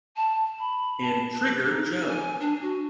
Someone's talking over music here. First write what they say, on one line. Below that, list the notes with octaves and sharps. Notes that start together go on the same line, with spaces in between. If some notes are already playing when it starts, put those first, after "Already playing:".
And Trigger Joe!
A5
B5
A5
G4
D#4
G#5
D4
F#4